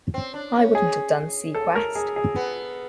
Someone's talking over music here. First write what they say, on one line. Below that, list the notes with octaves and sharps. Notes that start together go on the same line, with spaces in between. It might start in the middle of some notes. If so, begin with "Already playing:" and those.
I wouldn't have done "seaQuest".
C4
D4
C#4
G#4
A4
A#4
G#4
G#4
B3